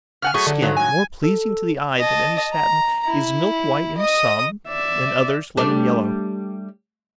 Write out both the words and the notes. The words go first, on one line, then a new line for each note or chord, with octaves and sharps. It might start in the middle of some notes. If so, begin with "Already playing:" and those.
The skin, more pleasing to the eye than any satin, is milk-white in some, in others lemon-yellow.
C#3 F#5 G#5 F6
F#3 A3 G#4 C#6
D3
G2 D#3 F#3
G#5
A4
D#5 A5
A#5
E4
D#5 D#6
D5 E5
G3 A3 D4